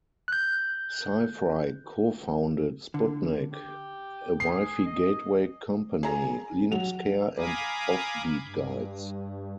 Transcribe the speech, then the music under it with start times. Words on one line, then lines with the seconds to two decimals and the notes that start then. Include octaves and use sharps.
Sifry cofounded Sputnik, a Wi-Fi gateway company, Linuxcare, and Offbeat Guides.
0.28 F#6 G6
2.94 D3
3.53 G4
4.40 G#4 C7
4.85 D#5
6.03 G#4 A#5
6.71 F#3 F#5 F7
7.37 F5 G#5 A#5 B5 D6 D#6
8.41 G2